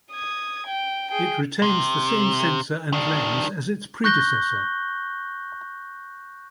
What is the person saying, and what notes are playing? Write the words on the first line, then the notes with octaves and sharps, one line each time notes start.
It retains the same sensor and lens as its predecessor.
D#6 G#6
G5
G#4 G5
C3
D#3 D4
C#6 F#6 G6 A#6 G7